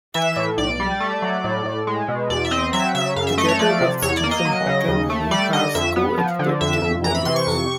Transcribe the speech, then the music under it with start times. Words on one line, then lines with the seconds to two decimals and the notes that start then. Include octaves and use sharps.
Together with Stephen Hawking, he has coedited two volumes.
0.14 E3 E5
0.36 A2
0.58 B1 D5
0.80 G3
1.00 A3
1.22 F#3
1.44 A2
1.65 A2
1.87 G#3
2.08 B2
2.30 E2 D5
2.45 E5
2.51 C4 D#5
2.73 F#3 E5
2.95 C#3 E5
3.16 F#2 F5
3.27 E5
3.38 A3 D#5
3.48 C#5
3.59 F3 D5
3.81 C3
4.02 E2 C#5
4.17 D5
4.24 A#3
4.31 D#5
4.45 F#3
4.66 C#3
4.88 D#2
5.10 A3
5.31 G3 D5
5.53 D3 D#5
5.75 F2 E5
5.96 B3
6.18 F3
6.39 D3
6.61 F2 E5
6.82 F2
7.04 E3 A#5
7.15 B5
7.25 C3 C6
7.36 C#6
7.47 F2